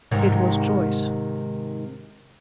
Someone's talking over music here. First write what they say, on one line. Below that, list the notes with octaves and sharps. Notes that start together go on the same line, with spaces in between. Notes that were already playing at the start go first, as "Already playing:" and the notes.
"It was Joyce."
G#2 C3 D#3